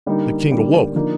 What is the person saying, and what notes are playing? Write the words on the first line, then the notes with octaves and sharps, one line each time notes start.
The king awoke.
D3 G3 A#3 D#4
D3 G3 A#3 D#4
D3 F3 A#3 D#4